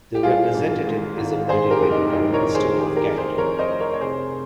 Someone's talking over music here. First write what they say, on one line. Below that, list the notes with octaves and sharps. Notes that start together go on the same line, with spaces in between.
The representative is appointed by the Prime Minister of Canada.
G4
G3 F4 G#4
G#1
G#2
G#1
D#3 G#4 C5
G4 A#4
F1
D#4 G4
D#2 D#4 G4
A#4 C#5
F1
G#4 C5
D#3 G4
G#4
G4 A#4
F1 A#4
G#4 C5
F2 A#4 C#5
C5 D#5
F1
A#4 C#5
C#5
C3 G#4 C5